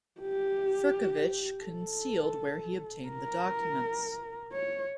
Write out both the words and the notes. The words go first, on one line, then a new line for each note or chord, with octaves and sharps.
Firkovich concealed where he obtained the documents.
G4
A4
A#4
C#5